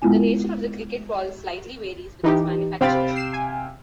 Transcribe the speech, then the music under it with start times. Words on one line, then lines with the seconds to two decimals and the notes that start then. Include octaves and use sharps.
The nature of the cricket ball slightly varies with its manufacturer.
0.02 G#3 B3 E4 F4 G#5
2.23 E3 D#4 G4
2.81 C3 C5 F5 G5 B5 A6
3.16 C7 E7
3.33 G#5